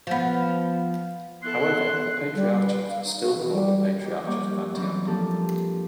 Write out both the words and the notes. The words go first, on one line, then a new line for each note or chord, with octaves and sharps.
However, the patriarchate is still called the Patriarchate of Antioch.
F3 B3
B3 E4 A4 C6 F#6
G3
B4
F5
D#4
F#4
E3
G3
G4 D#5 G5
F2 G3 A#3 C#5 G5 D6
E3 F#3 G3 C4 C#4 D#4
A#2 F3 A#3 D4 G4 A4